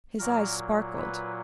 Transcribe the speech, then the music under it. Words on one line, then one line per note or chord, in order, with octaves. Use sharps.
His eyes sparkled.
A#2 F#3 A#4
B4